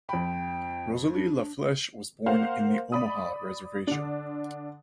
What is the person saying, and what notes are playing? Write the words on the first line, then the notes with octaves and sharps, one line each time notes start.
Rosalie La Flesche was born in the Omaha reservation.
F2 G5 B5
D4
A#3 C5 F5 F#5
D5 B5 D#6
D3 D4